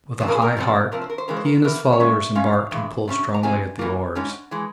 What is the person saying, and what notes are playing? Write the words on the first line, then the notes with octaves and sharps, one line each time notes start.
With a high heart he and his followers embarked and pulled strongly at the oars.
F2 C#3 E3 C5
A#4
G#4
A#4
E2 C3 G3 C4
C3 F3 C4 A#4
C5
A#4
C5
C#3 E3 G#3 A#4
C5
A#4
E2 E3 A#4
C#5
A#2 G#3 C#4 E5
A#2 G#3 C#4 F5
G2 E3 G#3
C3 G3 C#4
A#5
C3 F3 G#3 C4 G#5
E2 E3 A#3
G#2 G3 C#4
E3 G#3